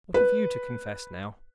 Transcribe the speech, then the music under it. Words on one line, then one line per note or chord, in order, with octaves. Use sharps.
What have you to confess now?
B4